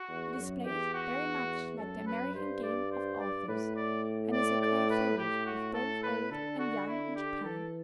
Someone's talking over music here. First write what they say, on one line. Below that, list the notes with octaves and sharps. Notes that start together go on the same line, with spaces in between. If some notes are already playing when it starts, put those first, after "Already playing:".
It is played very much like the American game of "Authors," and is a great favourite with both old and young in Japan.
Already playing: F#4
E2
F#2
E2 G4
F#4
F#2 A4
B4
G2 C5
D5
C5
D5
A2 B4
D5
D5
D5
B4
A2 G4
F#4
A4
B4
D3 A4
F#4
E4
G4
E3 A4